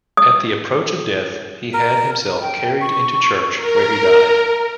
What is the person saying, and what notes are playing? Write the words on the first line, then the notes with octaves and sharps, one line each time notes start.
At the approach of death he had himself carried into church, where he died.
D#6
A#4
G5
C#6
A#4